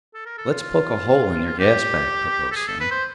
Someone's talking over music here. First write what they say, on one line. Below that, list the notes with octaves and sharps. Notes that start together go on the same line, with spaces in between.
"Let's poke a hole in their gas bag," proposed Sam.
A4
A#4
A4
F4
G4
A4
G#4
A4
B4
C5